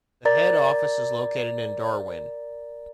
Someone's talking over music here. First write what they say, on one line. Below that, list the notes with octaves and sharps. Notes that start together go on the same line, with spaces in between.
The head office is located in Darwin.
A#4 D5 A#5 A6